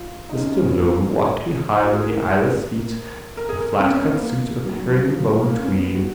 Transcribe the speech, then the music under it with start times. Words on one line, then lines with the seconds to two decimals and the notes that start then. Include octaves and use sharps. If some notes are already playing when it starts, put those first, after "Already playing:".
Mr Bloom walked behind the eyeless feet, a flatcut suit of herringbone tweed.
Already playing: F4
0.29 D#4
0.37 C#4
0.45 D#4
0.51 C#4
0.66 B3
0.80 A#3
1.01 F#4
1.23 G#4
1.83 F4
1.91 F#4
2.00 G#4
2.09 A#4
3.37 A#4
3.49 G#4
3.61 A#4
3.80 C#4
3.91 C#4
4.01 A#3
4.13 B3
4.23 A#3
4.65 F#3
4.77 F#3
4.87 F3
4.97 F#3
5.09 F3
5.19 F#3
5.30 G#3
5.41 A#3
5.51 A#3
5.59 C#4
5.66 B3
5.79 B3
5.94 F#4